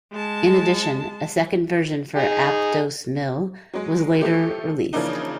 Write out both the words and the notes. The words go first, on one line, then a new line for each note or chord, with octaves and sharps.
In addition, a second version for "Ape Dos Mil" was later released.
G#3 A5
D#4 G#4
F#3 G#3
F3 A3 G4
C#3 E3 F3 A#3 D4 D#4